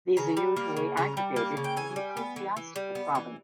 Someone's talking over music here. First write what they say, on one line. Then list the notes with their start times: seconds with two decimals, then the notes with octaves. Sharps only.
These are usually "aggregated" to an ecclesiastical province.
0.17 C#3 A#5
0.37 G3
0.57 A#3
0.77 C#3
0.97 C#3 A#5
1.17 G3
1.36 A#3
1.57 C#3
1.64 G5
1.77 E3 G#5
1.96 G3
2.17 B3
2.36 E3
2.57 E3
2.76 G3
2.95 B3
3.15 E3